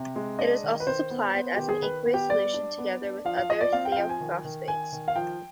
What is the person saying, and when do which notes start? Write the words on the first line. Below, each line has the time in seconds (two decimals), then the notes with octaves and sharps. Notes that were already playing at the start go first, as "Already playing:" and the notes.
It is also supplied as an aqueous solution together with other thiophosphates.
Already playing: C3
0.16 G#3
0.39 D4 D#5
0.64 D#3
0.80 B4
0.87 D#3 C5
1.10 B3
1.35 B3
1.56 D#3 G4
1.69 G#4
1.82 D#3 B4
2.06 B3
2.14 G4
2.30 G3 D5
2.54 D4
2.78 B3
3.02 D4
3.25 F3 F5
3.37 F5
3.49 F3 D#5
3.61 D5
3.73 C4 F5
3.85 G5
3.92 F5
3.97 F3 G5
4.09 G#5
4.20 D#3
4.45 D#3
4.68 D#3 G#5
4.93 D#3
5.08 F5
5.16 F3 G5